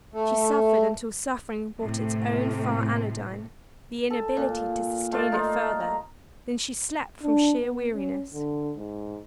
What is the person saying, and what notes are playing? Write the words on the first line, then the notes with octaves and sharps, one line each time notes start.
She suffered until suffering brought its own far anodyne--the inability to sustain it further,--then she slept, from sheer weariness.
A3
A2 C3 A3
A4
A#2
A3 F4 D5
D#4 F4
A#5
D4
B3
C#4
D3
G#2